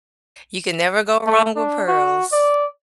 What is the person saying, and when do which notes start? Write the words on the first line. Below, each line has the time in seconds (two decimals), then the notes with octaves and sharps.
You can never go wrong with pearls.
1.27 A3
1.56 D4
1.88 F#4
2.32 D5